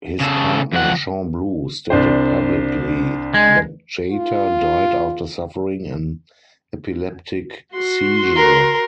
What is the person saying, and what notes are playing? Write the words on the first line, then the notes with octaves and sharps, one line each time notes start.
His partner, Sean Blue, stated publicly that Jeter died after suffering an epileptic seizure.
C#3 A4
F2 F#5
C2 D4 C5
G#3
F4
F#4 C6
A#4